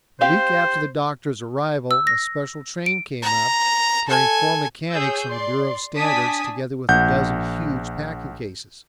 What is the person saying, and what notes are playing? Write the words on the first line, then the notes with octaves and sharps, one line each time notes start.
A week after the doctor's arrival, a special train came up, carrying four mechanics from the Bureau of Standards, together with a dozen huge packing cases.
C4 G4 C5 F5
E6
A#6
D7
A#5
A4 G#5
G#4 C#5 E6 G6
D5 C6
D4 G#5 A5 D#6 B6
A#1 F#5 G6